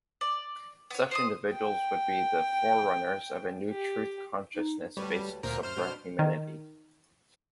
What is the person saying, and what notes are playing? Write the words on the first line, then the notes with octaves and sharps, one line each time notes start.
Such individuals would be the forerunners of a new truth-consciousness based supra-humanity.
D5
B3 C#5
C5 D#5 D#6
G5
G4
D#4
D2 G3 B4 C#5
D2 A#2 A#4 C5
F#2 C5 F6
B2 B3 D4
D#3